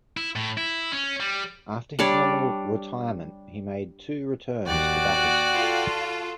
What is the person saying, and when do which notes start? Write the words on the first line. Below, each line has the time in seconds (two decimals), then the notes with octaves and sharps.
After his nominal 'retirement' he made two returns to Bathurst.
0.17 E4
0.36 A2
0.57 E4
0.92 C#4
1.20 G3
1.99 G3 D4 C#5 D5
4.67 D#2 F#4 D5 F#5 G5
5.54 F4 A4